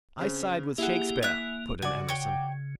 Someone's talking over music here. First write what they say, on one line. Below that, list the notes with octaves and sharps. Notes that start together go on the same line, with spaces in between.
"I side with Shakespeare," put in Emerson.
C#3 C4
A#3 E4 G4 G#4 F#5
A#3 E5 F#6
C#3 F#4 D5 G#5
C#5 G5